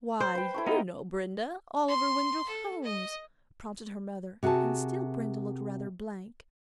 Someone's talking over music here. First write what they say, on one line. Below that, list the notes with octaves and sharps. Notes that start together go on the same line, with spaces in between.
"Why, you know, Brenda, Oliver Wendell Holmes?" prompted her mother, and still Brenda looked rather blank.
C5
B4 G5
E4 A4 C#6
B3 D#4 A#4
C6
A4
D#5
C3 F#4 G#4 A#4 A5